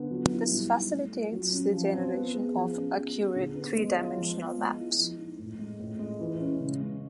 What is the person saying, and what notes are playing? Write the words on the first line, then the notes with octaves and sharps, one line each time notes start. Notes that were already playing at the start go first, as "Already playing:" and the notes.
This facilitates the generation of accurate three-dimensional maps.
Already playing: D3 B3
F#3
E4
G3
D#4
A3
F4
F#3
C#4
F3
C4
B3
G#4
F3
C#4
B3
G#4
D3
B3
G#3
F4
F3
B3
G#3
E4
F3
D#4
A2
G#3
A2
G#3
E3
C#4
C#3
G#3